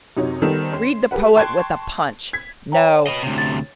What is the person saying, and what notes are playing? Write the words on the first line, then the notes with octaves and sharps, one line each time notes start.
Read the Poet with a Punch!' No.
F#2 C3 D#4 F#4 C#5
D#3 G3 B3 D#4 A4 C5
C#4 C6 E7
G4 G#4 A#4 B4 F#5
G5 A5 C6 C#6 F#6 G#6
G#6 B6
C#5 G5 A#5
B4 D#5
D2 C3
A6